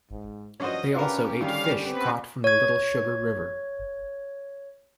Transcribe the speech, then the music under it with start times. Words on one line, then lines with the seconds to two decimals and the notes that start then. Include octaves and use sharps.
They also ate fish caught from the Little Sugar River.
0.11 G#2
0.60 G2 F3 C#4 F#4 C5 D#5
0.95 C#4 D4 F4 G4 A#4 B4
1.41 D3 D#3 G3 F5
1.85 B3 C4 B4
2.44 C#5 G#6